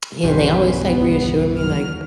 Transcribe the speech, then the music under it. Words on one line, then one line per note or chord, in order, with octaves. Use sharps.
and they always, like, reassure me, like,
B1 E2 G2 C#4 B4 C5
C#2 B3
D#2 F#3 F6